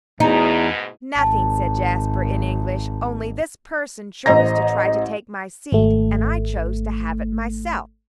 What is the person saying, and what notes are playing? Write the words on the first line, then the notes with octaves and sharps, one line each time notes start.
"Nothing," said Jasper, in English, "only this person chose to try to take my seat, and I chose to have it myself."
E2 G#2 B2 D#4 A#5
G#1 A5
A1 C5 D#5 A#5 A#6
G#1 A3